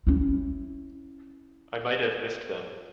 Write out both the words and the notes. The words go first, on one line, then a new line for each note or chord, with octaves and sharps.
I might have missed them.
C#4 E4